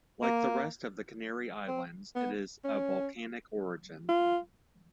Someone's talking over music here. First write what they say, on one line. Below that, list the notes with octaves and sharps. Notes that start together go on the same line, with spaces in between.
Like the rest of the Canary Islands, it is of volcanic origin.
A#3
C4
B3
C#4
F4